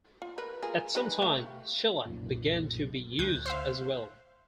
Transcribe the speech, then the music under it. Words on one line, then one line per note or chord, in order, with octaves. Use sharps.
At some time, shellac began to be used as well.
F4
A#4 B4
F4 G#4 A#4
G3 D#4 B4
A3 G4 F5
B1 F#2 A#2
D2 F#6 G6
C5 E5 F5